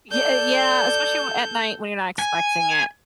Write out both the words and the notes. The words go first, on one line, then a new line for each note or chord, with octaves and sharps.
Ye uh, yeah, especially w at night when you're not expecting it
A4 D5 G6
G#5